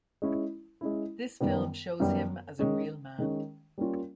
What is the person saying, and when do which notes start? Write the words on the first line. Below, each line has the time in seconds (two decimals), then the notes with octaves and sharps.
This film shows him as a real man.
0.22 G#3 C#4 E4
0.81 G#3 C#4 E4
1.40 F#2 D#3 G3 B3
2.00 F#2 D#3 G3 B3
2.59 D#3 G#3 C#4
3.19 D#3 G#3 C#4
3.78 G3 A#3 C#4 F4